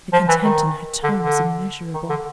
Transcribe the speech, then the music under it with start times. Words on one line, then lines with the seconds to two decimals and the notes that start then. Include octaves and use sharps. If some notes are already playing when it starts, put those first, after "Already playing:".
The contempt in her tone was immeasurable.
0.13 F3
0.29 E3
0.43 D#3
1.04 D3
1.19 D3
1.94 D#3
2.10 D3